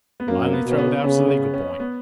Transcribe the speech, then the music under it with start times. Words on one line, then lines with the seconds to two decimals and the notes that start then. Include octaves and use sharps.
I only throw it out as a legal point.'
0.20 B3
0.28 F#2 A#3
0.53 B3
0.65 B2
0.71 C#4
0.78 B3
1.04 C#3 C#4
1.28 C#4
1.54 C#4
1.80 B3